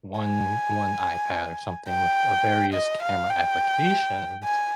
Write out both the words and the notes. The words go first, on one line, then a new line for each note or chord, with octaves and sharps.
one one iPad or something with, uh, various camera applications
G#5
G5
D#5
F5
G5
G#5